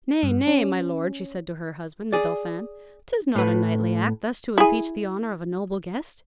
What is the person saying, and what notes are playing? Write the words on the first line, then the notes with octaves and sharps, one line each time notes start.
"Nay, nay, my lord," she said to her husband, the Dauphin; "'t is not a knightly act thus to impeach the honor of a noble guest."
G2
C#4
G#4 D5
A2 B4
E4 G#4